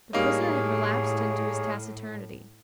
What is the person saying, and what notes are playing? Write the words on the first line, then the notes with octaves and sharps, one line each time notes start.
The prisoner had relapsed into his taciturnity.
A2 G3 A#3 D#4 G#4 C#5